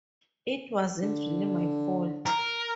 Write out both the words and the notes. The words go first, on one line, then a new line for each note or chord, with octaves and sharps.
It wasn't really my fault.
D3
A#4